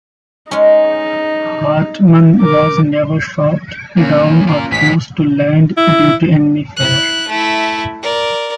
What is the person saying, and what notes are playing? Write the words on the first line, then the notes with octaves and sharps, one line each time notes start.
Hartmann was never shot down or forced to land due to enemy fire.
G#3 C#4 D#4
A#4 D6
E2 A#3 C#4
F4 A#4
A1 F2 G#3 B6
E4
E4 F#6
A3 E4
A#4 D5